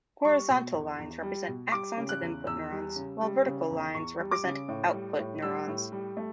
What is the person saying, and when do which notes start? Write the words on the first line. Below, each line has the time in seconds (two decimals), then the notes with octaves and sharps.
Horizontal lines represent axons of input neurons while vertical lines represent output neurons.
0.24 G3 C#6
0.49 B2
0.73 E2
0.98 E2
1.23 G3
1.48 B2
1.72 G3 D6
1.97 C#3
2.09 F#6
2.21 E2
2.46 E2 E6
2.71 G3
2.96 C#3
3.21 G3
3.45 C#3
3.70 E2
3.94 E2 C#6
4.19 G3
4.31 D6
4.44 C#3
4.68 A2
4.93 G3
5.18 A2
5.42 G3 E6
5.67 A2
5.92 G3
6.17 A3